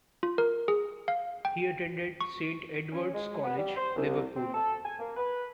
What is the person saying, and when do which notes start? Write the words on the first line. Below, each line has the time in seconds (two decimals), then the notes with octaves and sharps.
He attended Saint Edward's College, Liverpool.
0.23 F4
0.38 A#4
0.68 G#4
1.08 F5
1.45 G5
2.21 C#6
2.92 C#4
3.14 G#3
3.44 B3
3.57 G3
3.77 C5
3.96 C2
4.36 C4
4.54 A4
4.85 G#5
5.00 A#3
5.17 B4